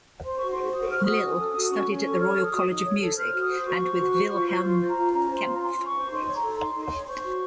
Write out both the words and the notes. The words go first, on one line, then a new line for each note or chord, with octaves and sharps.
Lill studied at the Royal College of Music and with Wilhelm Kempff.
C5 C6
F#4 C#6
C6
C5
F#4 D#6
C5 F6
C#6
F#4 D#6
C#4
A4
F#4
C#4 C#6
C#4
C#6
A4
C#5 F6
A4
D#6
F#4
D#4 D#6
C#5
A4
C5 F6
F#4
D#6
C5
F#4 C#6
C5
F#4
C5
F4
C5
C#6
F4 C6
C5
A#5
F4
C#4 A#5
C5
C6
F4
A#5
C#4 C6
C#4
C#6
C5
D#4 C6
C#5
A#5
A4
D#4 C6
D#4
C6
C#5
C6
C5 C#6
F#4